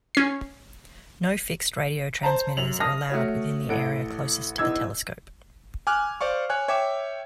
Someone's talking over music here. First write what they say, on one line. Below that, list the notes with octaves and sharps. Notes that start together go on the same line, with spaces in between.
No fixed radio transmitters are allowed within the area closest to the telescope.
C#4 C7
C5 A5 A#5
F#2 F7 F#7
A5 D#6 F6 A#6
A3 F#4 C#5
A1 A4 F#5 D7
E2 D#4 E6 G#6
G#5 D6 F6 F#6
C5 D5 F5 C#6
C#5 G#5 F#6
C#5 E5 G5 D6 E7